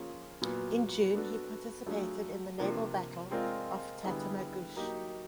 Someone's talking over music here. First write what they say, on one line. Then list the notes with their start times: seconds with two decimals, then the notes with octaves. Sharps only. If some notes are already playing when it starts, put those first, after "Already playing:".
In June he participated in the Naval battle off Tatamagouche.
Already playing: F3 A#3 C#4 F4 G#4
0.42 A#2 F#3 B3
1.14 B3 D4 F#4 A4
1.86 F#3 A3 D4 F4 G#4
2.58 C3 F3 A#3 D4
3.31 G#3 C4 F4 A#4 D5
4.03 D3 G3 B3 E4 G#4
4.76 F#3 A#3 D#4 G4